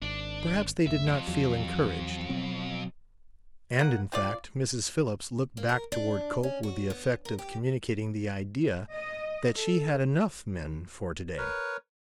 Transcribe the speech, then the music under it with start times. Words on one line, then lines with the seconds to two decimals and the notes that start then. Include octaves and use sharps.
Perhaps they did not feel "encouraged." And in fact Mrs. Phillips looked back toward Cope with the effect of communicating the idea that she had enough men for to-day.
0.02 G#1 D4
0.87 F#1 D2 E5
1.07 F2
1.27 E2 F#3
2.29 B2 F#3 C4
3.79 A#3 F#5
4.12 C4 F4 D5
5.57 A#3
5.69 A#4
5.92 D4
6.43 C#4
6.63 F#4
6.90 B3
7.25 A#4
7.39 G4
8.93 D#5
9.56 A4
11.38 A#4 B4 C#5